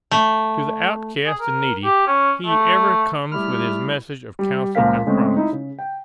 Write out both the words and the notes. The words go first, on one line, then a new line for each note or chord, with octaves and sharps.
To the outcast and needy he ever comes with his message of counsel and promise.
A3
G#4
A#4
G4
C#4
A3
G3 A3 E4 G4 B5 F6
G3
C#2 A#2 F3 A#4 F5 B6
C#3 G#3 A3 C4
D#4 E4
C#3
G5